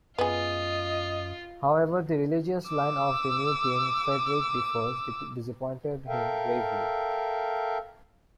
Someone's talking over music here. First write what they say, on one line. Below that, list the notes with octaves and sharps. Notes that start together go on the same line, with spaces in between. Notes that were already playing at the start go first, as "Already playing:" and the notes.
However the religious line of the new king, Frederick the First, disappointed him gravely.
F#2 B3 F4 G#4 D#5
D6 E6
A4 A#4 E5 F5 G5